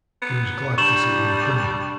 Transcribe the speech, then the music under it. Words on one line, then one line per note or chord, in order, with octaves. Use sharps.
He was glad to see them coming.
B3
G3 D4 C#6 E7 F#7